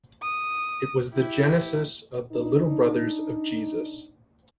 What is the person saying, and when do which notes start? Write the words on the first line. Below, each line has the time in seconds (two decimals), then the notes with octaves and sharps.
It was the genesis of the Little Brothers of Jesus.
0.22 D#6
1.13 E4 G4
2.32 D4 D#4